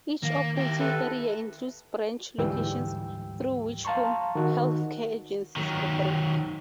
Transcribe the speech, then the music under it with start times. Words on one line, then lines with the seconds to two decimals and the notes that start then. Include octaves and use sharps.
Each operating area includes branch locations, through which home healthcare agencies operate.
0.23 D#3 A#3 F5 A#6
0.57 E4 G4
0.80 A4 B4 E5
2.38 D2 G#2 E3 G3 G5 E6
3.85 F5 A5 A#5 C6 C#6
4.35 D#3 F#4
5.56 D#3 F#3